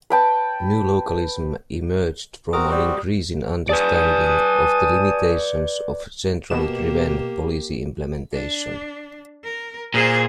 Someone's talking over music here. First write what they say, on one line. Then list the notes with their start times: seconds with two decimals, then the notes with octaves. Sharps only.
New localism emerged from an increasing understanding of the limitations of centrally-driven policy implementation.
0.10 B4 G5 A5
2.53 C4 F#4 A#4 D#6
2.72 G3
3.69 B4 D5 G#5 A5 D#6
6.50 B2 A#3 G4 E7
8.33 D4
9.44 A#4
9.94 A#2 G#4 C5